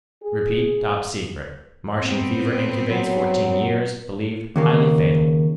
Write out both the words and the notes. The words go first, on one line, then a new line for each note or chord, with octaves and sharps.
Repeat topsecret. Martian fever incubates fourteen years, believed highly fatal.
G#4
B3 C4
F#3
D#2 C#3 A#3